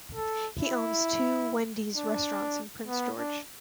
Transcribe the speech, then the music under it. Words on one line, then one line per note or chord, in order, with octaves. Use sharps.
He owns two Wendy's Restaurants in Prince George.
A4
E4
D4
B3
D4